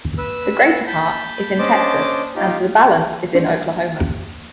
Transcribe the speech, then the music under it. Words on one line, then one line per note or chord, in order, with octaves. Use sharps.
The greater part, is in Texas, and the balance is in Oklahoma.
B4 E6
A5 B5 G6
C#4 D4 C5 D#5 A5 D6
D#4 F4 G4
D4 C5